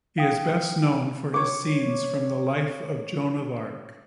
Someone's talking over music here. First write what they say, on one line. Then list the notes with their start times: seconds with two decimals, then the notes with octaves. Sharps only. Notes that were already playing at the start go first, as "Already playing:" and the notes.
He is best known for his scenes from the life of Joan of Arc.
0.18 F5 G5 D#6
1.34 C#5 D6